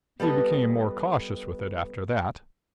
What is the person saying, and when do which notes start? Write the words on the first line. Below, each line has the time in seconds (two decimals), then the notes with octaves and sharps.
He became more cautious with it after that.
0.20 G3 B3 A4 B4 D#5